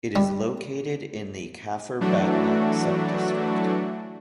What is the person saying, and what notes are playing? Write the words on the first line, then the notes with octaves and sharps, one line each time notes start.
It is located in the Kafr Batna subdistrict.
G3
E3 F#3 A3 D4 F#4